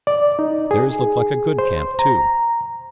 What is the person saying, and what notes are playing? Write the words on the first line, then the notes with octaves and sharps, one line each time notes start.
Theirs looked like a good camp, too.
D5
D#4
G#4
C5
A#5